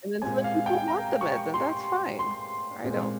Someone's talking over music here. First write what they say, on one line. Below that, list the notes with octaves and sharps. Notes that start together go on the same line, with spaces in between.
And then some people want the meds, and that's fine. I don't.
A#2 G#3 C4 G#5
F5
G5
A#5
C#6
C6
C6
A#2 G#3 C4